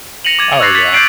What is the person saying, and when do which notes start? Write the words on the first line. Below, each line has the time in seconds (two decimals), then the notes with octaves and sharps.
Oh, yeah.
0.25 A#6 C#7 D#7 F7 F#7
0.39 D6 G#6 A6 D#7
0.60 C#6 E6 F#6 A6 A#6 C7
0.75 G#6 A6 B6 C#7 F7 F#7
0.93 G6 C7 D7 F#7